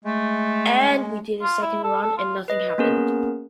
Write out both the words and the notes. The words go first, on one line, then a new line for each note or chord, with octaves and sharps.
And we did a second run and nothing happened.
G#3 A3
F4
E4
A4
A4
F4
B4 D#5
A#3 B3 C#4 G#4 A#4